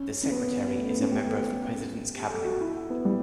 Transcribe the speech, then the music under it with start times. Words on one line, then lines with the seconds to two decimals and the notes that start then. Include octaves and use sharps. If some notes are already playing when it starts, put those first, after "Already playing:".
The Secretary is a member of the President's Cabinet.
Already playing: C#4
0.23 C#4
0.32 B3
0.77 A3
0.89 B3
1.00 C#4
1.12 G4
1.23 A4
2.15 G4
2.30 A4
2.45 F#4
2.61 E4
2.90 B3
3.05 G3